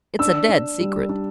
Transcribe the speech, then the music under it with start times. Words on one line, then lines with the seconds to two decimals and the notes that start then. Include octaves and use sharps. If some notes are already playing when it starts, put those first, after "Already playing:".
It's a dead secret.
0.19 D4 E6
0.49 D4
0.80 G3
1.09 D4